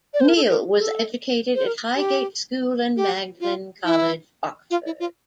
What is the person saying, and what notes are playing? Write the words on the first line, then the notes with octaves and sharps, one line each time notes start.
Neill was educated at Highgate School and Magdalen College, Oxford.
D5
C5
A#4
A4
A#4
A4
C5
A#4
G4
G4
F4
E4
F4
E4
F4